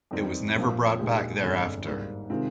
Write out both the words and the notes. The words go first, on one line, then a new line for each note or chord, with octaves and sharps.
It was never brought back thereafter.
F2 D#3 G3 C4 D#4
A#1 A#2 F3
A#1 A#2 G#3 D#4 G4
G1 F2 D3 G#3 D4
G#2 G3 A#3
C3 D#3 G#3 C4 F4